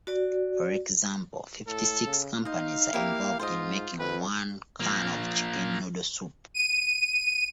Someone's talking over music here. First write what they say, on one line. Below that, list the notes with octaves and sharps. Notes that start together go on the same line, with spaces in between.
For example, fifty-six companies are involved in making one can of chicken noodle soup.
F#4 D5
A2 A4
C#3
D#4 C5 D#5 F5
A#3 E4 G4 A#4
G#2 F4 C5 D#5
F2 B4
F3 A#3
D#7